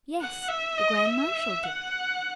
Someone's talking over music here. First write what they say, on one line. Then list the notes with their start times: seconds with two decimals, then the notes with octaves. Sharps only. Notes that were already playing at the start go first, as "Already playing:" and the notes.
"Yes; the grand marshal did."
0.21 F#5
0.49 E5
0.78 D#5
1.06 E5
1.64 F#5